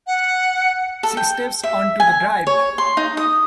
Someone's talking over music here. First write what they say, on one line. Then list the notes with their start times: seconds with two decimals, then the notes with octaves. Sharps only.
She steps on to the drive.
0.07 F#5
1.03 A4
1.17 G5
1.63 E5
2.00 G#5
2.47 C#5
2.78 C6
2.97 D#4
3.17 D#6